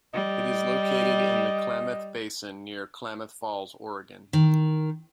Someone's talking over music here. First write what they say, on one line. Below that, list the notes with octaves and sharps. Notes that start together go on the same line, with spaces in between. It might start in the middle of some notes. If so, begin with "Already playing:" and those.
It is located in the Klamath Basin near Klamath Falls, Oregon.
G3 D#5
D#3